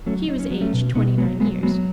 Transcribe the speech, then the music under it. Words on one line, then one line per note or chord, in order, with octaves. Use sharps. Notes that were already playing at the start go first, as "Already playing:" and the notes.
She was aged twenty-nine years.
F#3 A3 C#4
F#3 D#4
C#4
F#3 B3
A3 C#4
B2
B2 B3 D#4
F#3 G#3 B3
F#3 G#3 B3
F#3 G#3 B3